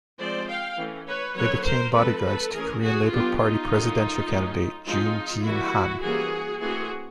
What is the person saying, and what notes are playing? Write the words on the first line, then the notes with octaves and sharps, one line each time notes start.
They became bodyguards to Korean Labour Party presidential candidate Jun Jin-Han.
F3 G#3 C4 C5 D5
F5 G5
E3 A3 C#4
B4 C#5
D3 F#3 A#3 C#4 B4 C#5
A#4 C5
F3 G#3 C4 A4 B4
A4 B4
E3 A3 C#4 G#4 A#4
F#4 G#4
D3 F#3 B3 D4 F4 G4
D#4 F4
D3 F#3 A#3 C#4
F#3 A3 C#4
F3 G#3 C4 D#4 F4
E3 G3 A#3 D4 E4 F#4
E3 G3 A#3 C#4 F#4 G#4
E3 A3 C4 F#4 G#4